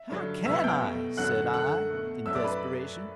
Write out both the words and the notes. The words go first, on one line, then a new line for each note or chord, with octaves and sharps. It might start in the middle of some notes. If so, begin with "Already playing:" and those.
"How can I?" said I, in desperation.
Already playing: E5
G2 D3 F#3
C2 B2 F#3 B3 E5 E6
G5 G6
B2 A3
F#2 D3 F#3 A3 F#5 F#6
F#2 D3 A3 F#5 F#6
B2 A3
F#2 F#3 A3 E5 E6
D5 D6
B4 B5